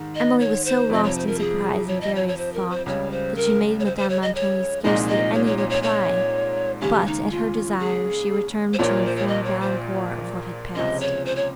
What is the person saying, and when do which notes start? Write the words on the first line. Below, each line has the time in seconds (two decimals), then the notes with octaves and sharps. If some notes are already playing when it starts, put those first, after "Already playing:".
Emily was so lost in surprise and various thought, that she made Madame Montoni scarcely any reply, but, at her desire, she returned to inform Valancourt of what had passed.
Already playing: G#2 D#3
0.16 D#5
0.40 C#5
0.65 C5
0.90 F2 C3 F3 D#5
1.04 C#5
1.16 C5
1.27 A#4
1.39 G#4
1.88 C#5
2.01 D#5
2.15 C#5
2.28 C#5
2.37 C5
2.54 A#4
2.70 C5
2.86 C#2 C#3 G3 C#5
3.11 C5
3.36 A#4
3.80 C#5
3.85 C5
3.97 C5
4.10 C#5
4.22 D#5
4.35 C#5
4.84 C2 A#2 F3 G#3 D#4 D#5
5.09 D#5
5.33 C#5
5.46 C#5
5.58 C#5
5.70 C#5
5.83 C#5
6.81 D#2 C#3 G#3 C#4 G4
7.07 D#4
7.31 F4
7.80 G#4
8.74 C5
8.79 A#1 A#2 F3 A#3 C#5
9.05 C5
9.17 C#5
9.28 D#5
9.44 C#5
9.61 C5
10.76 C#2 C3 F3 G#3 C#4 D#5
11.01 C#5
11.25 C5
11.36 C#5